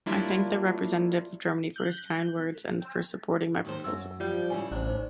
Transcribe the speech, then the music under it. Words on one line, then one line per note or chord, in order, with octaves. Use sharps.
I thank the representative of Germany for his kind words and for supporting my proposal.
F#3 G3 A#3 D4 E4 F4
F#6 G6
D#2 D#3 C5
F#2 E5 E6
F3 G3
G2 C#3 E4 G#5
A1 D4 C5 A#5
D#4 C5